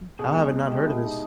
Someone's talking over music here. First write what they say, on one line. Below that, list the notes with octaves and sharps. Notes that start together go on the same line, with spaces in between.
How have I not heard of this?
B2 G#4
G#3
G#3
G#3 G4
B2 E4
B2 D#4